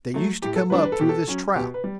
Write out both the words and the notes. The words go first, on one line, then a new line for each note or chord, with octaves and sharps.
They used to come up through this trap.
F#3 A3
A2 G4
A4
E3 G3 D4 B4
B4
A4
B2 G4
A4
F#3 C#4
B2 G4
B4
G3